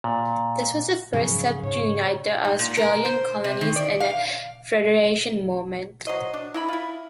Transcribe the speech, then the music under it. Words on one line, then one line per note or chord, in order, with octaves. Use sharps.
It was the first step to unite the Australian colonies in an federation movement.
A#2
G#2 C#3 F3 F#3
G#2 C#5
G#2
A#2
A#4
C5
C3
D#3
D5
F5
F#3 C5 D#5
D4
E4 D#5 B5
E4 F4